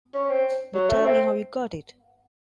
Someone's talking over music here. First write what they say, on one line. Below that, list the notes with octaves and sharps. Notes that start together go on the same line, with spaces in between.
But tell me how you got it.
C#4
C4
F#3
A3
C4